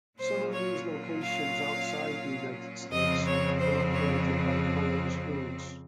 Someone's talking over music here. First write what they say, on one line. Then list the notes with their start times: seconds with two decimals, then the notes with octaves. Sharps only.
Some of these locations outside the United States are operated by Collins Foods.
0.18 A#2 F#3 C#4 F4 C5
0.53 C#5
1.21 F5
2.91 F2 C#3 F3 C4 D#5
3.25 C#5
3.59 C5
3.93 C#5